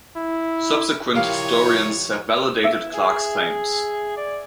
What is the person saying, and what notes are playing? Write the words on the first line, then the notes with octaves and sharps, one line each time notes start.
Subsequent historians have validated Clark's claims.
E4
A#2 F3 E4 G4 A#4 C#5 F5
A#3 E5
E4
G#4
D5